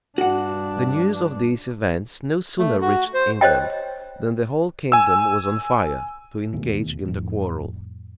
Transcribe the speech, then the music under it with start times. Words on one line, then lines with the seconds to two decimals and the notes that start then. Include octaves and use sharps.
The news of these events no sooner reached England, than the whole kingdom was on fire to engage in the quarrel.
0.18 G2 D4 F#4 F#5
2.59 A3
2.81 F#4
3.14 C5
3.41 C5 C#5 D#5 G5
4.92 G#5 E6
6.53 E1 D#2 B2 A3
7.08 F2 A2